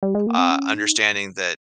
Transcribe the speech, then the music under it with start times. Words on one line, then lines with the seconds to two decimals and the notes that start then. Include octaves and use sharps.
uh, understanding that,
0.03 G3
0.15 G#3
0.27 A#3
0.38 C4
0.50 C#4
0.74 D#4